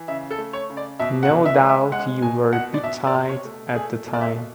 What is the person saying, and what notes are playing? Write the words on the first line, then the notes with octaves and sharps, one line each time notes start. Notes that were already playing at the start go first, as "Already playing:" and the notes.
No doubt you were a bit tight at the time.
Already playing: E3
C#3 E5
A4
A3
C#5
C#3
D5
B2 E5
F#5
B2
E5
G#3
E5
G#3 F#5
B2 G#5
B2 F#5
D5
B2 E5
D5
B2
C#5
A3
A3 G#4
B2
D5
E5
B2